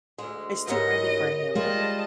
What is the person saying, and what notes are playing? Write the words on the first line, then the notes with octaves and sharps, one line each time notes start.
It's too early for a hamburger.
D2 G#3
D2 G#2 E3 G4 A#4 C#5 D#5
G3 G#3 F4 D#5 A5